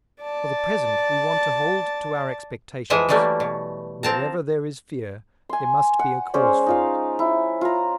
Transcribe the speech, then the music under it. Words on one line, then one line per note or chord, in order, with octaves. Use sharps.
For the present we want to hold to our expectations: "Wherever there is fear, there must be a cause for it."
D5 A5
E3 F3 G#3 D#5 E5 G#5
E3 F#3 G3 A3 A#3
B2
F3 C4 A5 A#5
G#5 C6
F#5
G#3 C#4 C5 D5
D#4 F4 F5
E4
F4 A#5